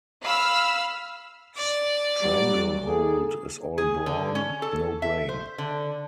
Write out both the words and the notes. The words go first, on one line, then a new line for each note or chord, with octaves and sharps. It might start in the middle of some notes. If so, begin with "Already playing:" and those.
Stranglehold is all brawn - no brain.
F5 B5 E6 F6
D5
F#3 G3
A#3 G#4 A4
G#4
D3
C#4
A4
E5
C5
D3